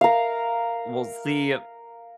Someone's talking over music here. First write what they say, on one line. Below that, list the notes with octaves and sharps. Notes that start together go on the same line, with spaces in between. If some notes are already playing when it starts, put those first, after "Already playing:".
We'll see a
A#4 F5